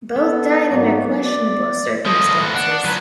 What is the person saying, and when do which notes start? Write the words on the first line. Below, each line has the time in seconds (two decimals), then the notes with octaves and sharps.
Both died under questionable circumstances.
0.16 B3 A4
0.70 G#2 F#3 A#3
1.23 D5
2.06 A2 F3 D#5
2.41 F#4
2.55 D4 F#5
2.84 F3 F#3 B4